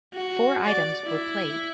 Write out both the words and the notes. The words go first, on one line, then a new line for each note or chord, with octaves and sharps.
Four items were played.
F#4
D5
E4